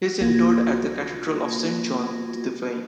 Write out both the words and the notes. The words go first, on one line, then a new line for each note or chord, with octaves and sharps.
He is interred at the Cathedral of Saint John the Divine.
C2 A#3 F4 F#4 G#6 A#6